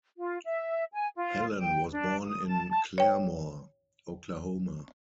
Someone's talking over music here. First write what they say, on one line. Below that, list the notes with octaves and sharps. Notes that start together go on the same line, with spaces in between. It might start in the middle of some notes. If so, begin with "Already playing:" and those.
Helen was born in Claremore, Oklahoma.
F4
E5
G#5
F4
G5
D4
D#6
A5
A5
C#5 G5